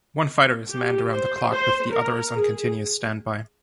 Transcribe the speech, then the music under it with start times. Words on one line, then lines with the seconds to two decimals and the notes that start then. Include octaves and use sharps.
One fighter is manned around the clock, with the others on continuous standby.
0.69 G4
1.10 C5
1.52 C5
1.93 A#4
2.34 G#4